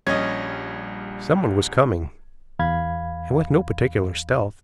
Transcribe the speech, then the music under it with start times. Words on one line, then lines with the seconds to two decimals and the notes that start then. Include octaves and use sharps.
Someone was coming, and with no particular stealth.
0.07 A#1 G3 C#4 D#5 G#6
2.59 E2 F5 B5 G#6